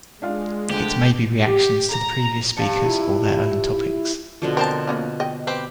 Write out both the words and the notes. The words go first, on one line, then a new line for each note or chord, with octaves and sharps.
It may be reactions to the previous speakers or their own topics.
G#3 D4 F4 F5
D2 D3 G4
G4
A#5
G2 F5 A5 C#7
E4 F4 G4
B2 D3 F3
C4 A#4 C5 A5
A#3 C#4 F4
D#5 G5
C4 G4 B4